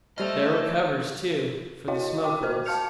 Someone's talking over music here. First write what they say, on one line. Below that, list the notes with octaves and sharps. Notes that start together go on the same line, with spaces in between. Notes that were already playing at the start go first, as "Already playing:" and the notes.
There were covers, too, for the smoke-holes.
G3 A3 C5 D#5 A5 F6
E4 F#4 C#5 D#5 F5 G5
D#5 G5 D6
F#4 A#4 C5 F6
F5 A5 F6 G6 C#7 F7